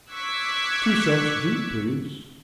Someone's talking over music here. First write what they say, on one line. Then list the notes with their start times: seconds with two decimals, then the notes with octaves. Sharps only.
"Two cents due, please."
0.11 C#6 D6 E6 F#6 G#6 B6